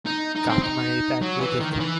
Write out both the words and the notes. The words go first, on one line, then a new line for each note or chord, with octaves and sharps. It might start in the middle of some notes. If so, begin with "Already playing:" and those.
Got married at Lyttleton.
D#4
D#4
C4
D#4
F#3
E3
D#3
D#3
E3